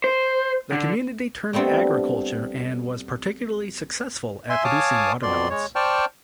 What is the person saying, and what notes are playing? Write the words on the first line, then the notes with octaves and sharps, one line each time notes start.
The community turned to agriculture and was particularly successful at producing watermelons.
C5
D3
G3 A3 B3 C4 D4
E5 G#5 C6
C#5 F5 G#5 A5 D6 D#6
F2 B2 D5 C6
G#3 C#5
C5 D5 G5 A5 C#6 F6